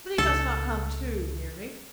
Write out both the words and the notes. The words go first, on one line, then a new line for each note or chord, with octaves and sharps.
But he must not come too near me!'
C#2 A4